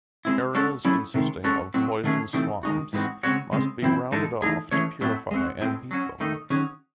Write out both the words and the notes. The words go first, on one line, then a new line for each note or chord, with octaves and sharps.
Areas consisting of poison swamps must be rounded off to "purify" and beat them.
G#3 C4 E4
G#3 C#4 F#4 A4
F#3 A3 C#4 E4 G#4
C3 D#3 G#3
G#3 C#4 F#4 A4
A2 F#3 C4
D#3 F#3 A3 C#4 G#4
C3 E3 A3 C4 D#4
D#3 G#3 D#4 F#4
G#2 E3 G#3 C4 F#4
C#3 G#3 C4 F#4 C#5
C#3 G#3 C4
F#2 E3 C4 E4 C5
G#2 E3 G#3 D#4 A4
E3 A3 D#4 G#4
E3 A3 C#4 G#4 C#5
A2 F#3 A3 C4
G#3 C4 F#4
A2 G#3 C4
F#3 C#4 F#4
D#3 A3 D#4
D#3 F#3 C#4 G#4